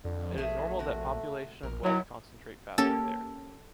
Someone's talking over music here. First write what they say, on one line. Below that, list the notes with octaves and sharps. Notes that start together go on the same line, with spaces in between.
It is normal that population and wealth concentrate faster there.
F2 D3
A#1 A3 G#4 E5
C3 F#4
A#1 A#4
G2 D#3 F3 F#3 E4
A#3 C#4 G4 A4